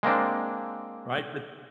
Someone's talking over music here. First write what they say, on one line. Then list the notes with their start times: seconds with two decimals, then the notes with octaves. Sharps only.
Right? But
0.03 G#3 A#3 C4 D4